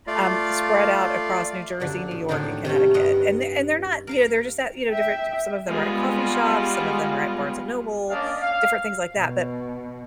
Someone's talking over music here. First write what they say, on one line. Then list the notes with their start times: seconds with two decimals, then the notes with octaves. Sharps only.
um, spread out across New Jersey, New York, and Connecticut, and they're they're not You know, they're just at, you know, different s Some of them are at coffee shops, some of them are at Barnes and Noble, different things like that, but
0.07 A3 F4 D5 F5
1.80 F#2 A#2 D3 D4
2.11 A2
2.29 A2 D3 D#3 C4 D4 D#4
2.65 C3 D#3 A3 C#4
2.94 G2 A#4 B4 D#5 F#5
4.07 A#4 F5 A#5
4.89 E5 G5
5.67 G3 G#3 B3 F4
8.10 A#3 C#4 D4 D5 D#5 F5
8.41 F5
9.17 B2